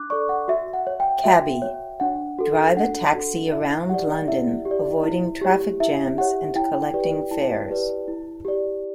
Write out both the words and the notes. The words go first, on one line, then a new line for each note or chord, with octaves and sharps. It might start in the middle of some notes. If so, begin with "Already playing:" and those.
"Cabbie" - Drive a taxi around London, avoiding traffic jams and collecting fares.
Already playing: D4 D6 F#6
A4 D5 C#6
F#5
F#4 E5
F#5
C#5
G5
F#4 E5
C#5
D4 F#5
F#4 A4
D4 F#5
F#4 A4
E4 E5
G4 D5 F#5
E4 E5
G4
D5
E4
G4 C#5
E4 E5
G4 C#5 F#5
E4 G5
G4 B4 D5
E4 A5
G4 B4 D5
E4
G4 D5